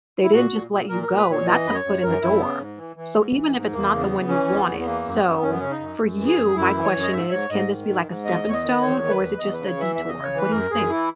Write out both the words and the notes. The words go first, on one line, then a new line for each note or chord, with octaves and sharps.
they didn't just let you go, and that's a foot in the door. So, even if it's not the one you wanted, so for you, my question is, can this be like a stepping stone? Or is it just a detour? What do you think?
E4
A#2 F#4
A#2
A#2
A#2 A#4
A#4
A#2
B4
A#2 C#5
E3 D#5
F#2 B4
C#5
F#2
F#2 A#4
F#2 E4
C#3 B3
G#2
E3
E3
G#2
E3
G#2
E2 A#3
C#3
B3
E3
E3 C#4
E2
B3
E2
B3
E3 A#3
F#2
B3
F#2
F#2 C#4
B3
C#3 C#4
D#4
F#2
F#2
E3
G#4
F#2
F#2 E4
E3
C#5
F#2
D#5
G#2 E5
G#2 C#5
G#2 D#5
D#3
G#2
G#2
E2 D#5
E2 C#5
D#5
D#3
E2 C#5
D#3
B4
E2
E2 D#5
C#3 B4
C#5
E3 E5
E2 E5
D#5
C#3
C#5
E3 B4
F#2 A#4
F#2 G#4
E3 E4